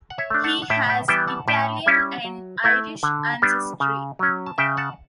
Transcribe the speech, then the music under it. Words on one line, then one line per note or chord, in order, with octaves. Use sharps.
He has Italian and Irish ancestry.
F#5
C#5 E5
A3 D4
F#5 A5
F#5
A2 E5 G5
E5 G5
E3 G3 B3 E5 G5
F#5 A5
A2 E5 G5
G3 C#4 E4
F#3
A3 E4
D3
G3 B3 D4
C#3
F#3 C#4
A5
C#3 E5 G5
F#5 A5